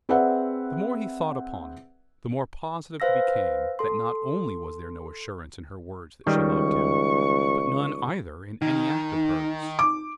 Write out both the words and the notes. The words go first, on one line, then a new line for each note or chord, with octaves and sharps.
The more he thought upon it the more positive he became that not only was there no assurance in her words that she loved him, but none either in any act of hers.
C4 G#4 B4 D5 E5 F#5
B4 C5 F5 E6 A#6
A4 C6
C#2 D#3 G3 C#6
D#3 D#4
D6